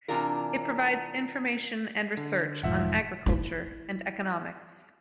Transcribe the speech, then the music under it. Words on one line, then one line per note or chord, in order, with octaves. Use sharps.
It provides information and research on agriculture and economics.
C3 E3 D4 F4 A#4
D3
E1 G#2 F3 E5 F#5
D#4 E4